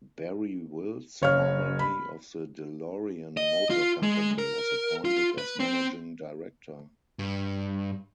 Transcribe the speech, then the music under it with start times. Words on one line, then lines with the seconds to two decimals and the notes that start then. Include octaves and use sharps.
Barrie Wills, formerly of the DeLorean Motor Company, was appointed as managing director.
1.22 F#1 C#5 F5 F6
1.79 B5
3.37 D#5
3.70 F4
4.03 G#3
4.38 A#4
5.05 F4
5.38 B4
5.60 C4
7.19 G2